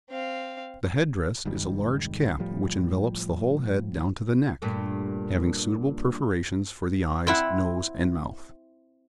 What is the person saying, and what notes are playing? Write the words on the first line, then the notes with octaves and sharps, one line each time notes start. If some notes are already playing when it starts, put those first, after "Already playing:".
The head dress is a large cap which envelops the whole head down to the neck, having suitable perforations for the eyes, nose, and mouth.
C4 F5
F1 G#2 D#3 G3
A2 F3 G3
G2 A#2 A3
C4 E4 F#5